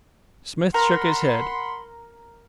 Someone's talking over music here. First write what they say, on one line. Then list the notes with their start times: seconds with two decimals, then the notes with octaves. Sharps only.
Smith shook his head.
0.74 A#4 F#5 B5 C6